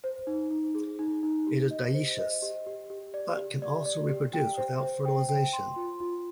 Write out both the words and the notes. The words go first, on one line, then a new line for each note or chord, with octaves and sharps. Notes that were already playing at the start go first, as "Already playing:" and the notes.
It is dioecious, but can also reproduce without fertilisation.
C5
D#4
D#4
G#4
D#4
D#4
G4
D#5
C5
D#5
G4
G4
G4
D5
G4
D5
D5
G4
G5
C5
C5
G5
G5
C6
F4
F4